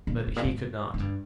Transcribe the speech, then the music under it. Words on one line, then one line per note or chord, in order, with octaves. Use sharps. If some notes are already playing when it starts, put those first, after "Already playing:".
But he could not.
A#2
G#2
A#2
G#2
G#2
G2